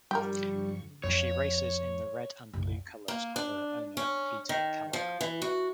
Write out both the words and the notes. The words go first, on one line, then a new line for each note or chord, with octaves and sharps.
She races in the red and blue colors of her owner Peter Callahan.
G2 F3 G3 G4 A#4 C#6
F2 F3 C#5
F#1 B1
A#3
D4
C#4
D#3
F3
E3
F#4